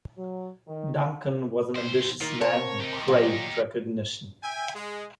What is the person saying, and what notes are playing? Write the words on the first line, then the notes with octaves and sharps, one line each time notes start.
Duncan was an ambitious man who craved recognition.
F#3
D#3
D#2 C5
D#3 A#3 F4
C3 A#4 C#5 A5
D#4 G4
A#2 F#3
E5 G5 G#5
G#3